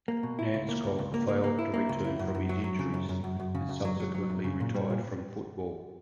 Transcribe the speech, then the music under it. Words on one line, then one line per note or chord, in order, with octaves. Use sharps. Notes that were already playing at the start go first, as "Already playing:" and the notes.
Nannskog failed to return from his injuries and subsequently retired from football.
A#3
B2
E4
C#2
A#3
C#2
C#2
A#3
A#3
A#3
E4
A#3
C#2
E4
F#2
F#2
F#3
F#3
C#3
F#2
F#2
F#2
F#2
C#3
F#2
F#3
F#3
F#3
F#2
C#3
A#2
G3
A#2